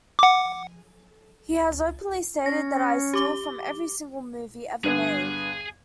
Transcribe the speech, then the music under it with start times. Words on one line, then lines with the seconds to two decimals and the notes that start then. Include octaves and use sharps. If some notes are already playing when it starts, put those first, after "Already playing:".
He has openly stated that I steal from every single movie ever made.
0.19 F#5 D6
2.46 C#4 A#6
3.14 G4 D6 G7
4.84 G2 D3 B3 G#4 G#5